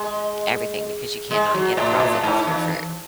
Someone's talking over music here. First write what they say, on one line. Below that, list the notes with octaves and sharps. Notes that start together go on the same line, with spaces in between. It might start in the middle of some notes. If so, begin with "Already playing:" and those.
everything, because you cannot get a profit off your fruit.
Already playing: G#3
G#3
F#3
A2
B2
A2
G#2
E2
E2